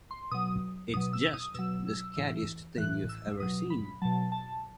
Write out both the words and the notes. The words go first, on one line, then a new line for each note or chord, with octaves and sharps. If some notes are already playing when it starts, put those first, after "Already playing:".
It's just the scariest thing you've ever seen.
C6
B2 F#3 D#6
B2 F#3 D#6
E6
D#6
B2 F#3 E6
A2 E3
A2 E3 F#6
E6
B2 F#3 D#6
B5
B2 F#3 A5
A5